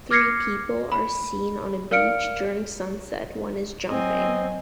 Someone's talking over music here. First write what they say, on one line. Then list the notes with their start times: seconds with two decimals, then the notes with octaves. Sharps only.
Three people are seen on a beach during sunset, one is jumping.
0.11 D6 F6 G#6 A#6 C7 C#7
0.92 B5
1.91 A#4 D5 F5 F6 C#7 D7
3.90 F#3 C4 D#5 G#5